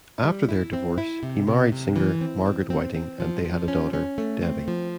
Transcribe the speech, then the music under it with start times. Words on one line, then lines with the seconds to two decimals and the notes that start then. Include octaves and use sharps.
After their divorce, he married singer Margaret Whiting, and they had a daughter, Debbi.
0.24 G3
0.49 E4
0.73 C4
0.98 E4
1.23 C3
1.47 C3
1.72 C3
1.96 E3
2.21 C4
2.45 C4
2.70 C4
2.94 C4
3.20 F3
3.44 F3
3.68 C#4
3.93 C#4
4.18 A3
4.42 C4
4.68 F3